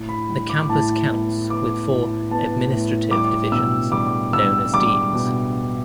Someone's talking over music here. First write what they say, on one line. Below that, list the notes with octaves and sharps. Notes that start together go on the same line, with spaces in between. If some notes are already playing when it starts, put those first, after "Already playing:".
The Campus counts with four administrative divisions known as 'Deans'.
Already playing: A2
B5
G3
D6
A2 A5
B3
B3 D6
A2
B3 A5
A2
G3 D6
B2 E6
G3 D6
G3 E6
G3 D6
B2